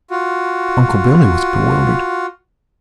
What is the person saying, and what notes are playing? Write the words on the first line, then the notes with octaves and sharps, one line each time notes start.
Uncle Billy was bewildered.
F4 F#4